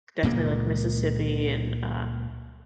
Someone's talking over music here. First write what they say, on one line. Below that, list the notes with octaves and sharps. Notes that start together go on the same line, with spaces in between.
definitely, like, Mississippi and, uh,
C#2 A#2 G#3 A#3